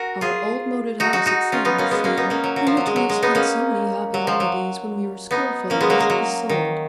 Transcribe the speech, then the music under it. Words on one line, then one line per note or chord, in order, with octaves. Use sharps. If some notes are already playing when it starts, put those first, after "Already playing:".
Our old moated house at Sandyseal, in which we have spent so many happy holidays when we were schoolfellows, is sold.
Already playing: F#4 A#4
F4 G#4
D#4 F#4
D#4 F#4
D#4 F#4
C#4 F4
B3 D#4
A#3 C#4
G#3 B3
A#3 C#4
B3 D#4
A#3 C#4
F#3
F#3
F3
F#3
G#3
F#3
G#3
B3 D#4
A#3 C#4
F#3
F3
F#3
B3 D#4
A#3 C#4
G#3 B3
F#3 A#3
G#3
F#3
D#3